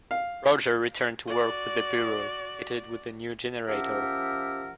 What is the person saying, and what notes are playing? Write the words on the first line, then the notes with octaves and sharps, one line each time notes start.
Roger returned to work with the Bureau, fitted with a new generator.
F5
F#4 D5
F3 C#4 G4 A#4 E5 F#5